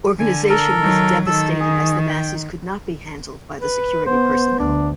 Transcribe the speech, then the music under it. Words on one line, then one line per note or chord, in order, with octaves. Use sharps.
Organization was devastating as the masses could not be handled by the security personnel.
D3 G#5
A4 A#4
D#3 F#3
D#3 A4 E6
G#4
G5
B4
B3 C5
D2 D4